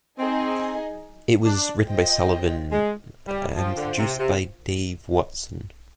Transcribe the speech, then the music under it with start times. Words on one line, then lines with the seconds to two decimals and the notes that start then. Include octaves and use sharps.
It was written by Sullivan and produced by Dave Watson.
0.19 C4 D#4 G#4 D#5 G#5
1.45 D4
1.88 F4 C5 D#5 G5
2.72 G#3
3.28 G3
3.56 F3 F4 C5 G5
3.77 D3
3.98 C3
4.19 C3